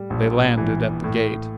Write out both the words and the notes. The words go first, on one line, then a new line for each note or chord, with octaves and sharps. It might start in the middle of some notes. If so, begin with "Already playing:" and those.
They landed at the gate.
Already playing: A2 G3
A#1
E3
A2